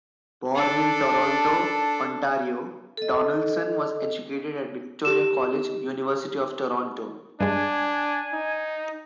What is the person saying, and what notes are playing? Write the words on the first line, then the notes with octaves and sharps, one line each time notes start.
Born in Toronto, Ontario, Donaldson was educated at Victoria College, University of Toronto.
D4 A4
A4 D#5
G4 E7
G2 G#3 D4 G#5
D#4